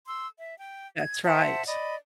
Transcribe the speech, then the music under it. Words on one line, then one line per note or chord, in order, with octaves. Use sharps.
That's right.
C6 E6
E5
G5
G#6
C5 E5 F#5 A5
D5 D#5 B5